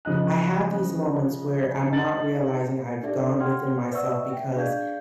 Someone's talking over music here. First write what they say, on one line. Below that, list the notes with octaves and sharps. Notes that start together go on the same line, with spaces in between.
I have these moments where I'm not realizing I've gone within myself because
C#3 F3 D#5 F#6
D#4 A5 A6 F#7
D4 D#4 G4 A4 D5 E5
F#5 G5 C6 F6 G#6
C5
B4 D5 E5 F#5 C#6 E6
E5 G5
D4 G#4 D5 F5 G6 G#6